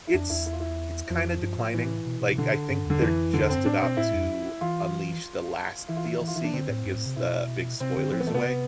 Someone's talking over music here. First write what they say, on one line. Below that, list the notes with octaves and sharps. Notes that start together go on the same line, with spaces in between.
It's it's kinda declining, like, I think they're just about to unleash the last DLC that gives the big spoilers away,
E4
F2 D4
E2 E4
E4
F4
E4
F2 F3
G2
A2
E3
B2
B2
C3
B2 D3
G2
E2 D3
F2 E3
D3
E2
F2 C4
G2
A2 D4
B2 C4
A2 E4
F2
E3 F4
E3 E4
F4
E4
E3
F4
E3 E4
D4
D3 C4
A2
G2
A2
C3
B2 E4
C3 C4
D3 C4
F3 C4
B3
E3 A3
C3 B3
C3